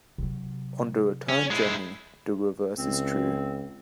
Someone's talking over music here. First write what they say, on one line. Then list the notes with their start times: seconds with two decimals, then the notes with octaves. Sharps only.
On the return journey, the reverse is true.
0.18 C3 F#3
1.29 C#4
1.51 G#3 E4
2.78 C#2 C4